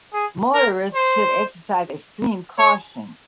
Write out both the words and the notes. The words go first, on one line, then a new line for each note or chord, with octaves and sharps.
Motorists should exercise extreme caution.
G#4
A#4
C5
C#5